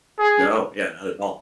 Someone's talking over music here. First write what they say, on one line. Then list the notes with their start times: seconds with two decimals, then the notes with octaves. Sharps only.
No, yeah, not at all.
0.19 G#4